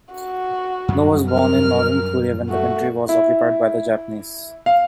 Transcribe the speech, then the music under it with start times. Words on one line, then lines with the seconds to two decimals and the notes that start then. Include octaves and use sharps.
No was born in northern Korea when the country was occupied by the Japanese.
0.14 F#4
0.88 F#2 G3
1.29 A#4 F6
2.49 A3 F#4
3.09 E4
4.66 F5